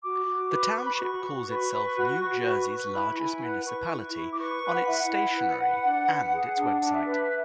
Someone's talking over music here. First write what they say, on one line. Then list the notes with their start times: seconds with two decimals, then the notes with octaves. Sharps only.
The township calls itself "New Jersey's Largest Municipality" on its stationery and its website.
0.03 F#4 D6
0.27 F#4
0.51 B4
0.75 B4 C#6
0.86 B5
0.96 F#4 C#6
1.24 F#4
1.48 B4
1.73 B4
1.96 F#4
2.20 F#4
2.45 B4
2.69 B4
2.93 E4 B5
3.17 E4 G#5
3.41 B4 F#5
3.66 B4 C#6
3.90 E4 C#6
4.14 E4
4.31 D6
4.39 B4 C#6
4.63 B4
4.75 F#5
4.86 E4 E5
4.98 F#5
5.11 E4
5.35 B4
5.59 B4
5.84 D4
6.08 B4
6.33 G#4
6.56 D4 F#5
6.81 D4
6.93 E5
7.06 B4